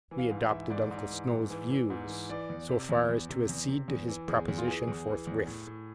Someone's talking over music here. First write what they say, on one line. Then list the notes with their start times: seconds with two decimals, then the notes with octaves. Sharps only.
'We adopted Uncle Snow's views so far as to accede to his proposition forthwith.
0.11 E3
0.18 F5
0.31 G#2
0.44 E5
0.51 E3
0.70 G#2 D5
0.91 G#2
1.10 E3
1.30 G#2
1.50 E3
1.70 E3
1.90 G#2
2.10 E3
2.29 E3 D5
2.50 E2
2.69 C3
2.89 E2
3.09 E2
3.29 C3
3.49 E2
3.68 C3
3.88 E2
4.08 E3
4.28 E2 G#4
4.48 E2
4.58 F4
4.68 E3 G#4
4.88 E2
5.08 E3
5.27 E2
5.47 A2
5.67 A2